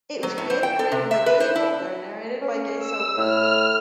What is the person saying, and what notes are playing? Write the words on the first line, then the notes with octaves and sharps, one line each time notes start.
It was created and written by Julie Holder and narrated by Gay Soper.
F#3
A2
C5
G5
A4
C3
E5
B4
C5
E4
C#4
E6
A2 F6